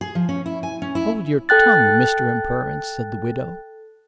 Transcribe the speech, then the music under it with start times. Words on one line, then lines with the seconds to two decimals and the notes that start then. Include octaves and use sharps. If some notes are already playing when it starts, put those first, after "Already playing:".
"Hold your tongue, Mr Imperence," said the widow.
0.01 G#4
0.15 F3
0.29 C#4
0.46 E4
0.63 G#5
0.82 C#4
0.95 E4
1.49 A4 G5 F#6 A6